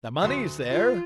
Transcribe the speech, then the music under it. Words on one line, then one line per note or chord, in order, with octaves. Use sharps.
"The money's there."
D2 F#4 C6
F4